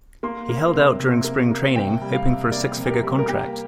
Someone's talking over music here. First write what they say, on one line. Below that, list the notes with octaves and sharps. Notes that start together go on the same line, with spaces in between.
He held out during spring training, hoping for a six-figure contract.
A#3 C6
A#3
C3
C3
A#3
A#3
C3 G5
G3
F5
C3
A#3 D5
C3
G4
A#4
G3
A#4
A#3 G4